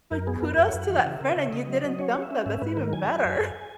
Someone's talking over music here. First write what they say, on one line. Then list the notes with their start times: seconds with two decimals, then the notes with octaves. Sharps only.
But kudos to that friend, and you didn't dump them. That's even better.
0.11 F#2 A#4
0.27 B3 G#4
0.42 F#2 A#4
0.58 F#2 B4
0.66 C#5
0.73 F#2 B4
0.82 F#5
0.90 E3
1.05 C#3 E5
1.19 C#3 A#4
1.31 B4
1.37 C#3 C#5
1.52 C#3 D#5
1.68 F#3
1.84 F#3
1.99 C#4 C#5
2.15 C#4
2.22 E5
2.31 C#4
2.46 G#2 E5
2.62 G#2 B4
2.77 D#3 A#4
2.93 F#3 G#5
3.08 F#3
3.24 F#2
3.40 F#2